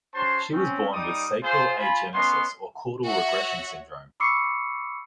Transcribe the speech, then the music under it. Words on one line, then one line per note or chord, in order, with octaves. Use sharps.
She was born with sacral agenesis or caudal regression syndrome.
C#4 F#4 C5 A5 C6
C4 C#4
G3 D#4 D6 D#6
F4 G#4 C5
F4 G#5 B5
B3 C#4 D#5 C6
F#4 C#5 E5 F#5
B5 C#6 D6 E6 C7 C#7